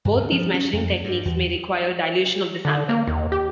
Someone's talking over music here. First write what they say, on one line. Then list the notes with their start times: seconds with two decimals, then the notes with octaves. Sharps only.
Both these measuring techniques may require dilution of the sample.
0.05 G2
0.18 D2
0.32 F3
0.54 C#4
0.73 F2
1.04 G2
1.25 E2
2.65 D3
2.89 A#3
3.07 D#2
3.32 G4